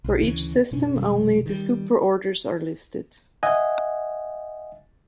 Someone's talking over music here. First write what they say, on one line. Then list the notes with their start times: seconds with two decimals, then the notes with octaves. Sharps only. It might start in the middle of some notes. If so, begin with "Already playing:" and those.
For each system, only the superorders are listed.
0.04 B1
0.22 D2 C#3 E3
0.71 F#1 B2 C#4 D4
0.95 F1 B2 D#3 G3
1.46 D#3 G3
3.43 D#5 E5 F#5 G#5